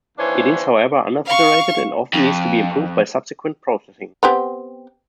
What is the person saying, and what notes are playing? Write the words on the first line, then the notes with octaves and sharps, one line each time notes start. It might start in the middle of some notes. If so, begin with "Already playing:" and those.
It is, however, under-saturated, and often needs to be improved by subsequent processing.
D#2 E3 D4 C5 C#5
F5 C#6
F2
B3 C4 G4